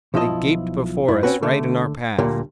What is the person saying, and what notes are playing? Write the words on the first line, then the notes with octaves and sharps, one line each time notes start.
They gaped before us right in our path.
B1 F3 E4 F4 D#5 A5
F#2 E4
C4 C#4 F#4 B4
D3 A3
D2 A#2 D3 G3 A#3